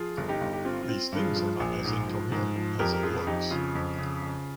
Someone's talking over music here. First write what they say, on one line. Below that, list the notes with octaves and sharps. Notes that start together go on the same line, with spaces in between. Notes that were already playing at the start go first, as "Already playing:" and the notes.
These things are not as incoherent as it looks.
Already playing: F3 F4 G#4
G1
D#4 G4
G1
G4
C4 F4
F4
C4
G2
F4 G#4
F3
A#1
G#2
F3
G#2
F3
F2 G4 A#4
A#4
F3 F4 G#4
F2 D#4 G4
C#3 F4
F2
C#3
C#3